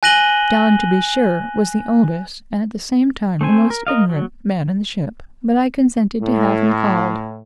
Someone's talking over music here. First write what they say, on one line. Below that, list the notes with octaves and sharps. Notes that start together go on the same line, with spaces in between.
John, to be sure, was the oldest, and at the same time the most ignorant, man in the ship; but I consented to have him called.
G#5 F#6 A#6 D#7 F#7 G7
A3 C4 C5 G#5
A#4
A#4 D#5 F5
F#3
A2